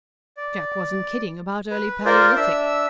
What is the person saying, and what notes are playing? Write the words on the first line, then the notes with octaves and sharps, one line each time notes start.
Jack wasn't kidding about early Paleolithic.
D5
B4
F4 A#4 C5 D5
D4 E5 E6